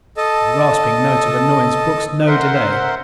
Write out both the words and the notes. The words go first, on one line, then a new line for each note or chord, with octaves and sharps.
His rasping note of annoyance brooked no delay.
A4 D#5 A5
A#4 C5 E5 F#5 C6